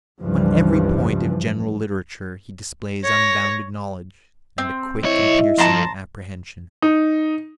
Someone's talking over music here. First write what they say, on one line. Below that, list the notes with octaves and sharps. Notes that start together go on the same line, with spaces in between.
On every point of general literature he displays unbounded knowledge and a quick and piercing apprehension.
C#2 G2 E3 F3
C#5 A#6
C4
B1 E4 C#5 D#5 E5
F2 A5 A#5 C6
D#4